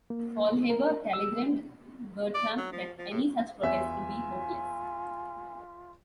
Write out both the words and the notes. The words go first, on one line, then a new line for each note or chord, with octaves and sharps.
Faulhaber telegrammed Bertram that any such protest would be "hopeless".
A#3
A#4
E6
D5
F#3
F3
F3
A2
E2 F4 E5 G#5